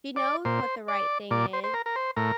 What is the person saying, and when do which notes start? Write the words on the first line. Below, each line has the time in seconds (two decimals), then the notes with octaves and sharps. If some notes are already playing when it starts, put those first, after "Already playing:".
she knows what the right thing is,
0.16 D5
0.45 A#2 C5
0.88 D5
1.31 A#2 D5
1.53 C5
1.64 C5
1.74 A#4
1.86 A#4
1.96 C5
2.16 A2 A#4